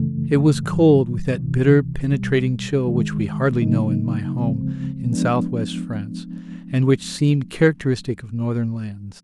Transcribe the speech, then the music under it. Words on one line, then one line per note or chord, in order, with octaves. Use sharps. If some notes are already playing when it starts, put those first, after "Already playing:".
It was cold, with that bitter, penetrating chill which we hardly know in my home in south-west France, and which seemed characteristic of northern lands.
Already playing: F#2 C#3 E3 A3
G#2 D#3 F#3
D2 C3 E3
C2 B2 G3
D#2 D#3 G#3
C#3 F#3 A#3 D#4
D2 C#3 F3 G#3 C4
F3 G#3 B3 D4